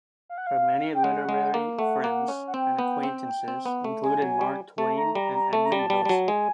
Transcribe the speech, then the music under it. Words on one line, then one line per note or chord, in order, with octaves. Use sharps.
Her many literary friends and acquaintances included Mark Twain and Edmund Wilson.
F5
F#5
F5
G5
G#3 F#5
G#3
A#3
A3 F#5
A#3
C#4
F#5
C4 G5
B3
C4
C4
B3
A3
G#3 G#5
F#3
G3
A3 A5
A#5
G3 A#5
A#5
A3 A5
A#5
G3
A5
G3
G3
F#3
G#3 G#5